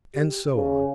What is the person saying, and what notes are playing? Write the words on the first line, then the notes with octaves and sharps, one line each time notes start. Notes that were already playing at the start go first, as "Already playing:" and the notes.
And so on.
G4
C#3